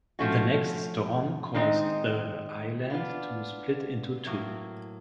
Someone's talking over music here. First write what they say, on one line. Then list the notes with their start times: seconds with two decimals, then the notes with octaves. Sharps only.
The next storm caused the island to split into two.
0.19 F3 A3 C#4 F#4
1.54 D#3 G#3 C4 D#4
2.90 B3 D4 F4
4.26 A2 F#3 A#3